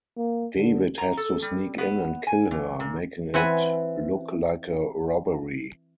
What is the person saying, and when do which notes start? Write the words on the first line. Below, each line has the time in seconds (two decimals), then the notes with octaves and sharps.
David has to sneak in and kill her, making it look like a robbery.
0.18 A#3
0.57 D3
0.98 A#5
1.17 A4
1.42 G3
1.78 B3
2.27 G#5
2.51 E3
2.80 A#2
3.34 E3 C4 F#5 G#5 B5